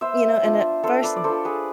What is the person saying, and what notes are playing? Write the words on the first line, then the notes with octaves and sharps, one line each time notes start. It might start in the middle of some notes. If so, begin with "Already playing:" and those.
you know, and at first
B3 C5 E5
D4 F4
B3 A4 C5
B4 D5
D5
D4 F4 A4 C5
G#4 B4